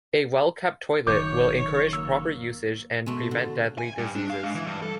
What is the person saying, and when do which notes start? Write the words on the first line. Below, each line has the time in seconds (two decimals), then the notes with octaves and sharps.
A well-kept toilet will encourage proper usage and prevent deadly diseases.
1.07 F#1 F#2 D#3 C#5 D6 G6
1.93 A#3 E6
3.06 B2 G#3 A3
3.31 D3
3.78 G#5
3.98 G2
4.15 D4
4.30 F5
4.44 G#2
4.55 E3
4.67 G2
4.82 A4